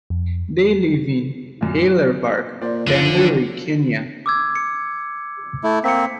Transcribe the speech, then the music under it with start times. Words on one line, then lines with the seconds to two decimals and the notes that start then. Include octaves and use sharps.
They live in Haller Park, Bamburi, Kenya.
0.10 F2
1.61 F#2 A#2
1.83 D7
2.62 A#2 C5 D5
2.87 F#1 D3 F3 C7
3.15 D#3 E3 D4
4.26 D6 E6 G#6
4.55 C#7
5.64 A3 E4
5.84 A#3 C4 B6 C#7